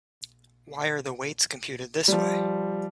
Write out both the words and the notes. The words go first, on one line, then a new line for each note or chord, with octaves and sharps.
Why are the weights computed this way?
F3 G3